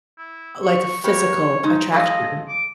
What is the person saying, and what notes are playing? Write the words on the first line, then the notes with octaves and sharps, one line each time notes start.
like, a physical attraction.
E4
C#6
A#3 G4 B4 C#5
G#3 D#4
G#3 A4 D#5 F5
D6